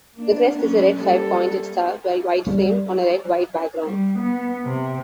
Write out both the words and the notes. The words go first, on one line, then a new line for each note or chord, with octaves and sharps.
The crest is a red five-pointed star, white framed, on a red-white background.
A#3 D4
F#3 A#3 C#4
G3 A#3 A4
G3
G3
B3
C3